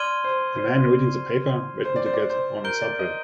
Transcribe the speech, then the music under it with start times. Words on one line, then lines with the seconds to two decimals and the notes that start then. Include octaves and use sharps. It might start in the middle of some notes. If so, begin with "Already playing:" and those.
A man reading the paper waiting to get on subway.
Already playing: D5 C6 F6 G#6 D#7 G7
0.24 C5
0.58 C5
1.85 C5
1.96 D5
2.06 C5
2.13 D5
2.30 C5
2.64 A#4 G6 D7 G7
2.81 D5
2.99 D#5